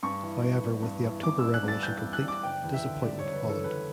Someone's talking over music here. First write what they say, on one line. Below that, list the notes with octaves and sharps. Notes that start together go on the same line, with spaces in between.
However, with the October Revolution complete, disappointment followed.
G2 C#6
E3
B3
D4
G2
E3
B3 D6
D4 E6
F#6
G2
A6
E3 G6
B3
F#6
D4 D6
F#1 G5
E2
E5
D3
G3 D5
C#5
F#1
B4
E2
A4
D3 B4